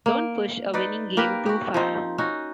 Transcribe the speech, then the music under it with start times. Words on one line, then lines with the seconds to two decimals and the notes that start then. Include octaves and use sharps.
Don't push a winning game too far.
0.06 A#3
0.74 D#4 B4 D5
1.17 A#3 G4 A#4 B4
1.46 F#4 G4
1.74 F3 C4 D#4
2.18 C#4 D#4 F#4